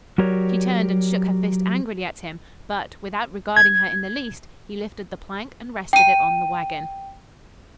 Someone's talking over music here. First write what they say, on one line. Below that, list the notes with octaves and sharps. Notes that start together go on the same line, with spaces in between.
She turned and shook her fist angrily at him; but, without regarding her in the least, he lifted the plank and rested it on the wagon.
F#3 F#4 G4 A#4 C#5 D5
G#6
G5 D#7